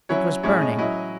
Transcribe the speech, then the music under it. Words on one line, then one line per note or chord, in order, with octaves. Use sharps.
It was burning.
F#3 C#4 E4 C#5
A2 G#3 C#4 E4 C#5
D#5
F#3 C#4 E4 D#5